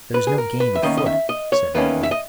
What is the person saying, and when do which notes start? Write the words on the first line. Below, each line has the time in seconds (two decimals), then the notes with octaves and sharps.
"There is no game afoot," said Mowgli.
0.14 B4
0.27 G#4
0.38 A#4
0.60 B4
0.75 E5
0.82 E2 D#3 A#3 C#4 D#5
0.97 D#5
1.06 E5
1.29 D#5
1.52 C#5
1.74 E2 D#3 A#3 C#4 B4
2.03 E5
2.11 D#5